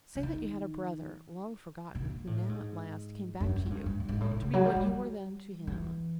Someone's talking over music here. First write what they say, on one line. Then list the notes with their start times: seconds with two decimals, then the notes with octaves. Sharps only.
Say that you had a brother, long forgotten, who now at last came back to you to be what you were then to him.
0.15 D3
0.23 D#3
1.95 B2
2.05 A#2
2.27 A2
2.49 G#2
3.40 F#2
3.56 F#2
3.66 G#2
3.70 G2
3.86 G2
4.00 G2
4.09 G#2
4.21 A2
4.31 A2
4.42 C#3
4.53 F#3
4.65 G3
4.76 G3
5.67 E3